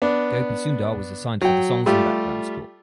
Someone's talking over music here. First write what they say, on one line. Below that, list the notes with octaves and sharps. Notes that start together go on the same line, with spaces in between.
Gopi Sundar was assigned for the songs and background score.
B3 D4
F#3 G5
G3 A3 F4 G4